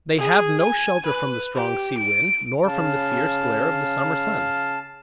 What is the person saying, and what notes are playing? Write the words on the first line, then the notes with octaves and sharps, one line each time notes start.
They have no shelter from the strong sea wind, nor from the fierce glare of the summer sun.
G#4
G#5
B4
G4
D7
C#3 F5 A5